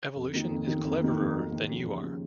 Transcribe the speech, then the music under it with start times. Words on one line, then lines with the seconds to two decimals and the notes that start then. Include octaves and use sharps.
Evolution is cleverer than you are.
0.16 F2
0.33 D#3 A#3
0.50 F2
0.67 D#3 A#3
0.84 F2
1.01 D#3 A#3
1.18 F2
1.35 D#3 A#3
1.52 D#2
1.69 C#3 F3
1.86 D#2
2.03 C#3 F3